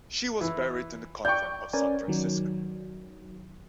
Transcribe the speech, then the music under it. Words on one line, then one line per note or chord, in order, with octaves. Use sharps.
She was buried in the Convent of San Francisco.
E3
D5 G5 C#6 G6
C#4 A#4 B4 D5 G#5
D#3 F#3